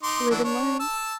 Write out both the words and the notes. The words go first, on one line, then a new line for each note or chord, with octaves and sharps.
Live and learn.
D#4 C6 D6
E3 F#3 D4
D4 C#5
A5 E6